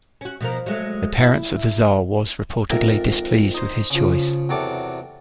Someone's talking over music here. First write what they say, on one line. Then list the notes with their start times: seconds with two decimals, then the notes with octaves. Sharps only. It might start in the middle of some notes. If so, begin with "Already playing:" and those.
The parent's of the tsar was reportedly displeased with his choice.
0.21 C#4 F#4
0.41 B2 F3 A#4
0.66 F#3 G#3 A3
1.20 E4
2.70 F2 G#2 A#4 E5
3.55 D#4 C5
3.90 C#3 F3
4.49 E2 C3 F#3 A4 D6